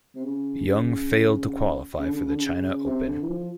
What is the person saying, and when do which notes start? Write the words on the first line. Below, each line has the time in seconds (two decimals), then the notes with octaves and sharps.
Young failed to qualify for the China Open.
0.15 C3
0.24 C#3
1.99 C#3
2.09 D3
2.20 C#3
2.30 D3
2.41 C#3
2.86 C3
3.07 D3
3.22 E3
3.29 F3